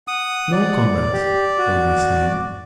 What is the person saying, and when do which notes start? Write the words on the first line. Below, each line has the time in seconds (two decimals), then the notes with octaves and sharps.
"No, comrades," one was saying.
0.08 F#5 D#6
0.52 D5
1.13 G4
1.58 F#4